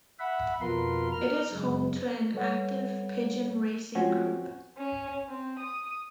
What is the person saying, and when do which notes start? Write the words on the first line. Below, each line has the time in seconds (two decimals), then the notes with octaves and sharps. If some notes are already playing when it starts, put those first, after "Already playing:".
It is home to an active pigeon racing group.
0.19 E5 F#5 B5
0.61 F2 B2 F4 A#4 B4 C6
1.12 A#4 F6
1.53 F#2 C#3 G#3
2.34 G3 A4 B4 C#5 F#5
3.95 F3 C4 C#4 F#4
4.77 C#4
5.28 C4
5.59 D#6